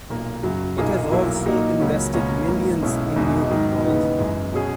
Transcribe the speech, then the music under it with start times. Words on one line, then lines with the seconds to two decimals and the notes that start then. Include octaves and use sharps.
It has also invested millions in new technology.
0.10 B1 A#2 A#3
0.43 F#2 C#3 F#3
0.78 B1 A#2 A#3 D#4 G#4
1.11 B1 A#2 F#3 A#3 E4
1.46 A#2 F#3 A#3 D#4
1.80 C#2 C#3 F#3 A#3 C#4
2.14 C#2 B2 A#3 C#4
2.48 G#1 G#2 E3 A#3
2.82 B1 B2 G#3 C#4 E4
3.16 E1 E2 B2 G#3 D#4
3.50 G#2 D#3 F#3
3.85 D#2 C#3 E3 B3 D#4
4.18 F#2 E3 G#3
4.53 B2 F#3 C#4 G#4